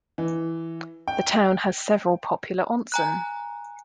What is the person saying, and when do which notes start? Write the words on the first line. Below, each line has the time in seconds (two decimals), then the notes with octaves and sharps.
The town has several popular onsen.
0.18 E3
1.08 G5
2.92 G#5 A#5 F#6